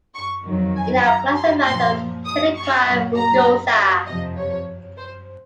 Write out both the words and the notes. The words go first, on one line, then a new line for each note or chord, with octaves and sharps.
It now classified as "Tiliqua rugosa".
C#6
F2 D#3 F#3
G#5
A#5
C6
A#2 F3 C6
D#6
C#6
A#2 F#3
A#5
F2 C3 F3 D#5
C#5
C5